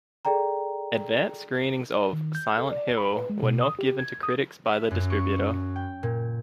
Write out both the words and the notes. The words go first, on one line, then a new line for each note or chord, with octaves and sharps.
Advance screenings of "Silent Hill" were not given to critics by the distributor.
G#4 A4 D5 G5 A#5
D#3
G6
A4
D5
B5
B4
G#3
B2
D#6
G4
G#6
D#6
E5
F#2
C#6
G5
A#2